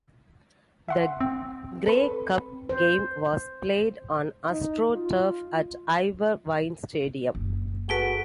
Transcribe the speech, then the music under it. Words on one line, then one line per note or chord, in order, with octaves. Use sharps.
The Grey Cup game was played on astroturf at Ivor Wynne Stadium.
E5 F#5 C6
C4
A4 B4 B5
C5
D#4
F4
F#1
F#4 G#4 A4 B4 B6 D7 G7